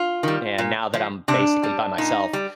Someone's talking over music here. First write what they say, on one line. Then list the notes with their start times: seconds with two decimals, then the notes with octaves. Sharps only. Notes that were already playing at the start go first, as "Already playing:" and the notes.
and now that I'm, basically by myself,
Already playing: F4
0.23 D#3 G3
0.58 A#2
0.93 F3
1.28 C3 D4
1.63 G3
1.98 A#2 D#4
2.33 G3